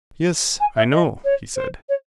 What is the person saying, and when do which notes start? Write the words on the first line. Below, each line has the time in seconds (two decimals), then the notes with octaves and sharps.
Yes, I know, he said.
0.60 G#5
0.76 E5
0.92 D#5
1.24 C#5
1.56 C5
1.88 C#5